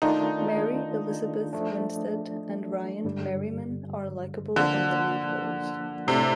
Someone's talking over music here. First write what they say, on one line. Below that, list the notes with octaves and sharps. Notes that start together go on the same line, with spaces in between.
Mary Elizabeth Winstead and Ryan Merriman are likeable in the lead roles.
D#3 A3 D4 D#4 F4
F3 A3 D4
G2 D3 G3
D3 F3 A#3 D4
A2 C3 A3 D4